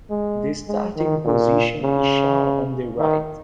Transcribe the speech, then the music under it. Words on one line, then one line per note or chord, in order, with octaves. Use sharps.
The starting position is shown on the right.
G#3
G#3
D#3
A#2
C#3
D#3